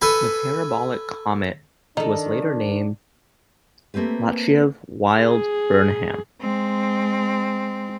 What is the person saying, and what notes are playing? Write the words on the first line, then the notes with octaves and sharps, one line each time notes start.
The parabolic comet was later named "Latyshev-Wild-Burnham".
A4 B4 G#5 B5
D#3 D4 D#4 A4
A3 A#3 C4 G4 B4
G#4
G#3 C4